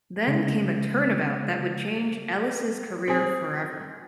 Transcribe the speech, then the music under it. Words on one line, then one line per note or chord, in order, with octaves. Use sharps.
Then came a turnabout that would change Ellis's career forever.
C#3 G#3
C4 G#4